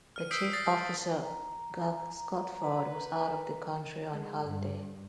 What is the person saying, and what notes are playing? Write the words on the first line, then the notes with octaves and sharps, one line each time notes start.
The Chief Officer, Garth Scotford, was out of the country, on holiday.
F6 D#7
D#6 E6 G6 B6 C7 D7
D#6 A6 A#6 C7
A#5
B4
G#3
G2